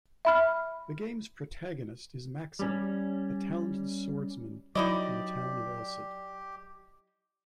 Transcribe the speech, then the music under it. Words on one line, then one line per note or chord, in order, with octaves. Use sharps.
The game's protagonist is Maxim, a talented swordsman from the town of Elcid.
E5 B5 F6
G3 C#4
F#3 D#4 E4 G4 D5 D#5